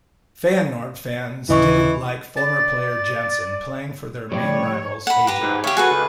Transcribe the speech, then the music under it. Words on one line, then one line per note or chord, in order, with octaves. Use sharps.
Feyenoord fans didn't like former player Jansen playing for their main rivals Ajax.
D#1 C#3 E3 A3 E4 D#5 C#6
D5 A6
A2 F3 G3 C#5 D5
F#5 B5
G4 B4 A#5
G#2
G4 C#5 E5 F5
F#4 G#4 A4 B4
C#2